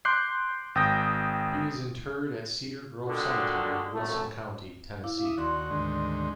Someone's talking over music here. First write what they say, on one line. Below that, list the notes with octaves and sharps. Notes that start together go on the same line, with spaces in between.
He is interred at Cedar Grove Cemetery, Wilson County, Tennessee.
C6 D6 F#6 G6 C7
G#1 G5 D#6 G6 A#6
A#2 D3 G3 G#3 F#4
G#1 F#2 A3 C#4 A4
E4 F5 D6
E5 D#6
D#2 F#4 D5 C6
D2 G#2 D#3